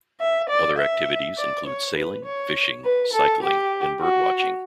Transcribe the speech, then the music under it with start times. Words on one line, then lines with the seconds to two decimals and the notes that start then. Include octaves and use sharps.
Other activities include sailing, fishing, cycling and bird watching.
0.21 E5
0.49 D5
0.79 E5
1.38 D5
1.67 C#5
1.96 B4
2.25 C#5
2.84 B4
3.13 A4
3.43 G4
4.01 F#4